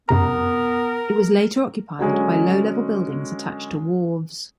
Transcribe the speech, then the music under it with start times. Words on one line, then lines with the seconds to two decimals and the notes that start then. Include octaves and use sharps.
It was later occupied by low level buildings attached to wharves.
0.09 F#2 C3 B3 A#4 A#5
1.99 D3 F#3 G#3 C#4